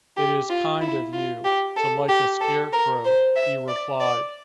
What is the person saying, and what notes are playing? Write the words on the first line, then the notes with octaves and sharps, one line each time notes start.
"It is kind of you to like a Scarecrow," he replied.
G4
F4
E4
F4
G4
A4
G4
A4
A#4
C5
E5
D5
D5